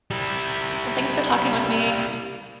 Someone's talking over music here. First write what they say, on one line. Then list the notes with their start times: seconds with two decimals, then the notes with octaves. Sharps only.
Well, thanks for talking with me.
0.11 G3 E4